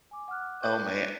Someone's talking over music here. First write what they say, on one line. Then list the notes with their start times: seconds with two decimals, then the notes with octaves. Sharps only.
oh, man.
0.11 G#5 D6
0.28 F#5 D6 F6 F#6
0.62 B4 G5 C#6 D6 F#6 G6